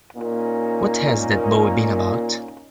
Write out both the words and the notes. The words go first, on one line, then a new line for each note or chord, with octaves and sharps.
What has that boy been about?
A#2 A#3 C#4 D#4